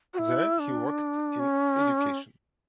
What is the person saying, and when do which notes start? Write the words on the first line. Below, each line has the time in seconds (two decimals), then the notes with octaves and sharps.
There he worked in education.
0.14 F#4
0.18 E4
0.59 D4
1.39 C#4